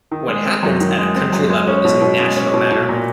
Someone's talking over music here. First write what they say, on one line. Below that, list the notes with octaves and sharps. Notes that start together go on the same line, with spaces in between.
What happens at a country level is a National Matter.
D#3
G#3
C4
F#2
D#3
G#3
C4
F#2
G#3
C#4
B2
B2
G#3
C#4
B2
B2
A#2